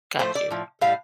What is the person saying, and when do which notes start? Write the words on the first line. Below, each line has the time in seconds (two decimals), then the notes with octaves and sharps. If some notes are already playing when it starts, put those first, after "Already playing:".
Got you.
0.19 A2 F3 A3 C5
0.35 D5
0.50 A2 F3
0.81 A2 G3 F5